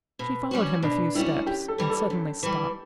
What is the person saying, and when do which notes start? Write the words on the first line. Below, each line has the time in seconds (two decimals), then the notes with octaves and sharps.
She followed him a few steps, and suddenly stopped.
0.19 B2
0.51 G3 C#4 F#4
0.82 B2 D4
1.15 G3 C#4 E4 F#4
1.46 F#2 G4
1.68 A4
1.78 E3 G3
1.90 A4
2.10 F#2
2.43 E3 G3